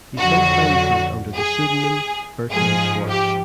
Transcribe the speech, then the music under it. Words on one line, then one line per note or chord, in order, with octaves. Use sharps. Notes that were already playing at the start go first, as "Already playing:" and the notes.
He sometimes wrote under the pseudonym Berthold Schwarz.
F2 D3 F#3 F#4
G#4
G#2 F3 G#4
G4